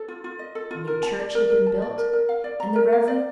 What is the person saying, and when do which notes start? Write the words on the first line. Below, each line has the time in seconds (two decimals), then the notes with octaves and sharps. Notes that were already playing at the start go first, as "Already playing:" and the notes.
A new church had been built, and the Rev.
Already playing: A4
0.08 F4
0.24 F4
0.39 D#5
0.55 A4
0.71 F4
0.87 A#4
1.03 A5
1.19 D5
1.35 A#4
1.50 A#4
1.66 A5
1.82 D5
1.98 A#4
2.13 A#4
2.29 F5
2.44 D5
2.60 A#5
2.76 A#4
2.93 F5
3.08 D5